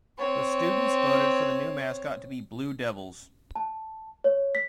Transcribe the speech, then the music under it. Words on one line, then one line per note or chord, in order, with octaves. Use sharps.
The students voted for the new mascot to be "Blue Devils".
C4 C#5
A5
C#5
B6